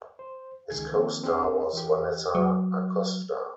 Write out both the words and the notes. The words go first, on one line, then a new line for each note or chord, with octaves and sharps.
His co star was Vanessa Acosta.
C5
C#2 D#3 G#4 G#6
D#3 F3 A#3 C4
C4 D4 G4 G#4 C#5
E3 G4
F#3